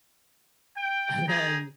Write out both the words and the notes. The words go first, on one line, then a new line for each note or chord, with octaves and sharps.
And then
G5
G#4 G5 A#5